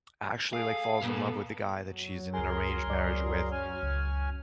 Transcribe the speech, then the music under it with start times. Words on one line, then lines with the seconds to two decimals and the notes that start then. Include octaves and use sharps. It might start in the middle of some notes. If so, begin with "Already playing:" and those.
Actually, like, falls in love with the guy that she's in an arranged marriage with,
0.53 G#4 A4 F5
1.03 A#2 B3 A4
1.82 F#2 F#3
2.34 C#2 G#4 A#4 G#5 C6
2.87 C#2 D5
3.52 C#4 G#5 F6
3.83 C#2